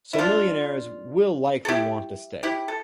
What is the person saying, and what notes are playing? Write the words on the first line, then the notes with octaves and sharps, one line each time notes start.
So millionaires will likely want to stay.
E4
D4 F4
A4
E4 G4
E4 G4
A4